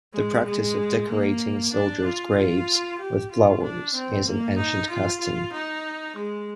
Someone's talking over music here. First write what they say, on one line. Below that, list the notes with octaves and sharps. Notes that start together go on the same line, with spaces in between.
The practice of decorating soldiers' graves with flowers is an ancient custom.
G#3
G#3
A#3
D4
F4
F4
G4
F4
D4
C4
A#3
D#4
F4
F4
D#4
G#3